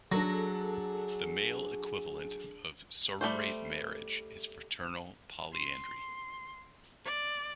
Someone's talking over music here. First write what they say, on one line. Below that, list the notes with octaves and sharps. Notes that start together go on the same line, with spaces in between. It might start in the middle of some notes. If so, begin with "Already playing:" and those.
The male equivalent of sororate marriage is fraternal polyandry.
F#3 D4 G#4 A4 A#6
G3 A3 C#4 C5
C6
D5